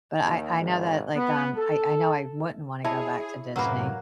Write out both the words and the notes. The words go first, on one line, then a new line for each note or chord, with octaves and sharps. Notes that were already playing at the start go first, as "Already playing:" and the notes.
but I I know that, like, um I I know I wouldn't wanna go back to Disney.
D#2
G#1
B3
A4
E4 G#4 C#5 D#5 E5 A5
F#2 A2 C3 F#3 A#3 A#4 B4 B5